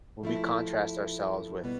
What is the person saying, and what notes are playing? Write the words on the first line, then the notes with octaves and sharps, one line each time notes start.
When we contrast ourselves with
F3 A3 E4
B2 G3 B3